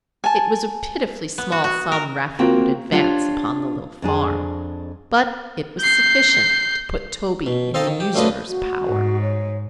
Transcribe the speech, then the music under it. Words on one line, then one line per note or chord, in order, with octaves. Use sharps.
It was a pitifully small sum Raffer would advance upon the little farm; but it was sufficient to put Toby in the usurer's power.
G#5 A5
B3
F#4
F#4
A#4
A#3 C4 F4 F#4 G5
D4 F4 G4 C5 C#5 F5
F2 D4 G#4
G6 C7
B2
C4 A4 D#5 F5 A5 A#5
D#3
G4
F#2 A3 D4 F4 B4 D#5
F#4
G#2
C#5